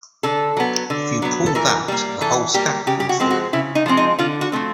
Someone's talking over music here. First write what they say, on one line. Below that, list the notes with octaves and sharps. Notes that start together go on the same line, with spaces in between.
If you pull that the whole stack will fall.
D3 A4
F#3 B3
D3
F#3 B3
A4
E3 A#4
G3 A#3
E3 A4
G3 A#3 G4
C#3 G4
G4
F#4
F3 G#3 C4
F#4
C#3 E4
D#4
F3 G#3 C4
D#4
D3 F4
F#4
F3 A3 C4